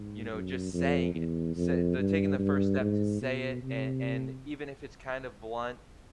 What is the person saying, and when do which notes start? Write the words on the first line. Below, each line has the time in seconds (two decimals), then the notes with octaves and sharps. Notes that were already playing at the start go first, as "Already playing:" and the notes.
you know, just saying it, s they're taking the first step to say it and and even if it's kinda blunt,
Already playing: G#2
0.33 F#2
0.74 F2
1.15 E2
1.56 F2
1.98 G2
2.39 G2
2.80 G#2
3.21 B2
3.63 C3